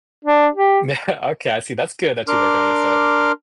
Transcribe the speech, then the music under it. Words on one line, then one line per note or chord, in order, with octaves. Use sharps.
Yeah, okay, I see, that's good that you work on yourself.
D4
G4
D4 A#4 C6 D6 F6